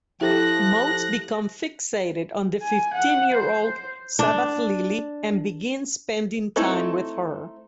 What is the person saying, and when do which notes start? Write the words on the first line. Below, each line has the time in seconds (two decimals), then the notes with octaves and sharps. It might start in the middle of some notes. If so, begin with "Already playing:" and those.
Motes becomes fixated on the fifteen-year-old Sabbath Lily and begins spending time with her.
0.21 F3 E4 G4 A4 F#6 A#6
2.63 G#5
2.94 F#5
3.33 C5
4.19 D4
6.56 A3 C4 D#4 E4 A4